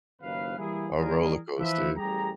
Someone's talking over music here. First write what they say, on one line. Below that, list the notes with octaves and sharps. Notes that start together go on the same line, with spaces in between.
a roller coaster.
F#1 D#2 B4 F5
E3 G3 A#3 E4 G#4
E3 G3 G#4 A#4
E3 F3 B4 E5
A1 G3 G4 G#4 A#5